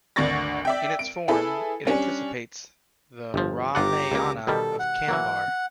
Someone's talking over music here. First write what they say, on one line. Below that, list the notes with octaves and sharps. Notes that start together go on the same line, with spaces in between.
In its form, it anticipates the Ramayana of Kambar.
G#1 D2 D4 C#6 A6 A#6
D5 E5 G5
D7
E4 G#4 A4 B4
G3 C#4 D4
G1 F3
G1 F4 G4 F#5 A#5 D6
C#2 A#3
B2 D#3 G3 A4
F#5
E3 F#3 A#3